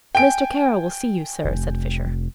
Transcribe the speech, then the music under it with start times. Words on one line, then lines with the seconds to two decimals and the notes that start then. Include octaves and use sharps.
"Mr. Kara will see you, sir," said Fisher.
0.15 G5 G#5 D7
1.45 F1